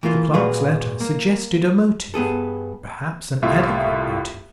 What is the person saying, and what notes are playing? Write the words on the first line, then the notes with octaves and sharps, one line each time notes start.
The clerk's letter suggested a motive, perhaps an adequate motive.
E3 A3 A#3 F4
A#2 G3 F#4 G#4 B4 F5
A#3
G2 B3 G#4 A4
C2 A2 F4 E5